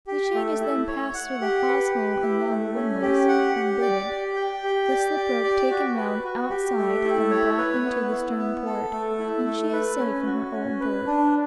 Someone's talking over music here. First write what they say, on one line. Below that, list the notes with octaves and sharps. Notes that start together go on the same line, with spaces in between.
The chain is then passed through the hawse-hole and round the windlass, and bitted, the slip-rope taken round outside and brought into the stern port, and she is safe in her old berth.
G4
A3
E4
C#5
F#5
G4
B4
G4
E4
A3
C#4
G4
F#5
G4
D5
G4
G5
G4
D5
G4
D5
F#4
B4
F#4
G4
A3
E4
C#5
B4
B3
E4
B3
A4
A3
E4
A3
B4
C#4
F#4
C#4
B4
D4